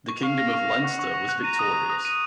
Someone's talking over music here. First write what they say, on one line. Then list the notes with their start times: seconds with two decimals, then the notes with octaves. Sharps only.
The Kingdom of Leinster was victorious.
0.08 C#6
0.23 F5 C#6
0.38 A#6
0.54 C#6
0.69 F7
0.83 F#5 C#6
0.99 C#6
1.14 C#6
1.29 F#6
1.44 A#5 D#7
1.59 D#6
1.74 D#6
1.90 D#6
2.05 D#7